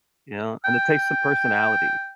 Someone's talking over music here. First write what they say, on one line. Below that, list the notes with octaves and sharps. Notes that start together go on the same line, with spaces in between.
you know? And it takes some personality.
G5